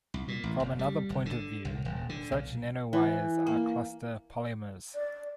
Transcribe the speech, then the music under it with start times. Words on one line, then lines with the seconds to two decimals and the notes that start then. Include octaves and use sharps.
From another point of view, such nanowires are cluster polymers.
0.14 C2
0.28 A#2
0.44 A1
0.60 F#1
0.79 G3
1.10 G1
1.26 D3
1.65 C2
1.85 D#1
2.09 D3
2.32 B1
2.93 E3
3.47 A#3
4.95 D5